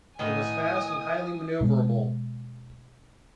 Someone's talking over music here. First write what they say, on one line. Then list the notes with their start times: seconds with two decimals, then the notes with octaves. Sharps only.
It was fast and highly maneuverable.
0.19 A2 D#3 A#3 B3 G#5 D#6
1.61 B2 G#3 B3